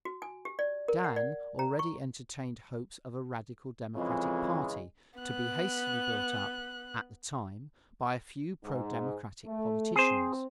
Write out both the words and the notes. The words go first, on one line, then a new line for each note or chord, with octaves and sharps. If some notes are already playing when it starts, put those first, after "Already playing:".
Dan already entertained hopes of a radical-democratic party to be hastily built up, at the time, by a few pro-democratic politicians.
F#4
G#5
G4
D5
A#4
F#5
D5
A#5
C#6
F2 C#3 E3 G#3
B3 F#6
G#2
A3
C4 G#4 C5